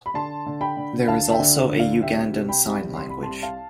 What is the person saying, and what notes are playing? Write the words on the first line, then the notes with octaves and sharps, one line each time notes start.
There is also a Ugandan Sign Language.
B5
D3 A5 C6
D3
G5 B5
D3
D2 F5 A5
E5 G5
D3
D2
D5 F5
C2 E5 G5
C3
G5 B5
C2
C2 C6
B5
C2 A5 C6
F5 A5